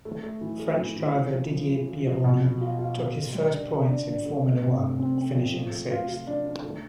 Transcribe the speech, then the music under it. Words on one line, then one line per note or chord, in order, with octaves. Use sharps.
French driver Didier Pironi took his first points in Formula One, finishing sixth.
A3
A3
E3
A3
E3
E3
F4
F3
F3
F3
F3
F3
B2
B2
F4
F4
B2
B2
G3
D4
D3
D4
D4
D3
A3
C3
A3
C4
C4
F3
F3
A3
F4
F4
D4
D4
A3